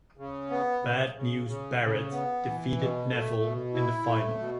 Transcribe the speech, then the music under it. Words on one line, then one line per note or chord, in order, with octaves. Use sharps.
Bad News Barrett defeated Neville in the final.
C#3
B3
C#3
C#3
C#3
C#3
B3
E3
B2
A3
B2
E4
A3
B2